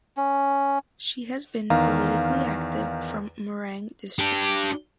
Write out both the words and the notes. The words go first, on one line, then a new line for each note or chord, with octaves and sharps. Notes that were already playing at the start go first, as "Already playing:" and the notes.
She has been politically active from Morang district.
C#4
E2 D#3 F5 A#5
D4 G4